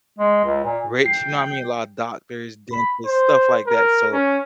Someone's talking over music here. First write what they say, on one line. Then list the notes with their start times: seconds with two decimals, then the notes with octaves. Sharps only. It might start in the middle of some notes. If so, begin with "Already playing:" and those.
rich, you know what mean? A lotta doctors, dentists, stuff like that, so
0.18 G#3
0.45 C#2
0.64 A#2
1.06 G5 C7
2.72 B5
3.05 C5
3.67 A#4
4.12 C#4